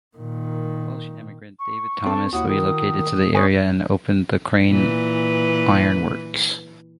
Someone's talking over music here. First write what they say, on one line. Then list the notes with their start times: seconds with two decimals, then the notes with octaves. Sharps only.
Welsh immigrant David Thomas relocated to the area and opened the Crane Iron Works.
0.17 A#2 D#3
1.59 C#6
2.06 C4 A4 A5
2.33 D#2 E4 F#4 F#5 D#6
2.48 D#3 A#4 D#6
3.35 C#4 B4 G#5 C#6 D#6
4.69 A#2 E3 B4